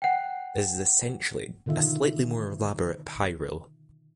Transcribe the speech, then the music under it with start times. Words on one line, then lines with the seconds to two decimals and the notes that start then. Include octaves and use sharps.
This is essentially a slightly more elaborate pie rule.
0.02 F#5 G5
1.66 B2 D3 D#3 F4 E5